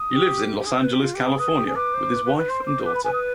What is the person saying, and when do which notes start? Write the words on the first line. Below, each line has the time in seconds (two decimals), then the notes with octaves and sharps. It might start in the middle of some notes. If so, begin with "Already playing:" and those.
He lives in Los Angeles, California with his wife and daughter.
Already playing: D#6
0.10 G4
0.59 G4
0.66 G#4
0.75 C5
0.84 B4
0.93 G4
1.02 F4
1.14 G4
1.27 G#4
1.39 B4 D#6
1.48 G#4
1.57 G4
1.66 G#4
1.75 B4 D6
1.94 C5
2.12 B4
2.25 B4
2.37 B4
2.49 C5 C6
2.67 D6
2.86 B4 D6
2.95 B5
3.04 B4 G#5
3.13 D#6